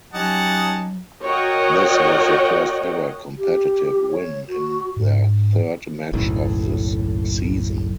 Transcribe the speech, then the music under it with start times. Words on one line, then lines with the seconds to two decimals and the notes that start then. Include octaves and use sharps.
This was their first ever competitive win in their third match of this season.
0.13 F#3 C#4 D#4 G4 D#5 F#5 A5
1.24 F#4 A#4 C#5 D#5 F#5 G5
3.38 G4
4.11 C#5
4.48 F#4
4.97 G#2
6.13 F#1 B1 A2